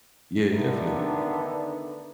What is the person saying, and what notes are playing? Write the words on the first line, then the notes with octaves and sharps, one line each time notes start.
Yeah. Definitely.
D3 D#3 A3 B3 D4 D#4